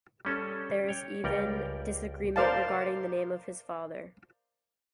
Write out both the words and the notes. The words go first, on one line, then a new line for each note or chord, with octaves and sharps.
There is even disagreement regarding the name of his father.
G3 C#4 A4
C#5 G5
C#2 G3 A#4 D5 G5
A#4 C5 D5 F5 A5